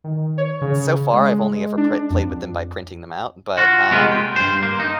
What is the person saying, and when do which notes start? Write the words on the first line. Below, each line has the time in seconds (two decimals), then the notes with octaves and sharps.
so far, I've only ever prey played with them by printing them out, but, um,
0.04 D#3
0.38 C#5
0.61 C#3
1.13 G#3
1.77 D4
2.10 F2
3.57 F4 F#4
3.91 C3 G#3 A#3 B3 F4
4.12 G5
4.36 G2 C5
4.63 A#3
4.80 D#4